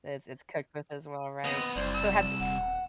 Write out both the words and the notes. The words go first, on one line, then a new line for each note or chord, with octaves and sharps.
It's it's cooked with as well, right? So have y
D#2 B3 C4 D#5
F#1 C2 C5 D5
E6
D#1 F#5